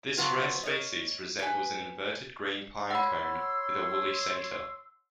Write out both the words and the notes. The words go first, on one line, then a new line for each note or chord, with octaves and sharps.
This rare species resembles an inverted green pine cone with a woolly center.
C#3 F#3 B3 C4 F4
A#4 C#5 D#5
B4 G#5
C#5 F#5 B5 C6 E6